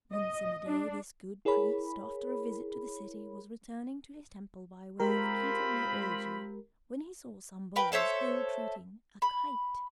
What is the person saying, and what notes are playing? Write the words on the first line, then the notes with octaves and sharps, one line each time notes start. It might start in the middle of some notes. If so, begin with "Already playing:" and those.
One summer day this good priest, after a visit to the city, was returning to his temple by way of Kita-no-Oji, when he saw some boys ill-treating a kite.
D#5
D4
E4 G#4 A#4 C#5 B5
G#3 C4 F4 G4 A#4 B5
A#4 B4 G5
A4 C5 C#5 E5
B5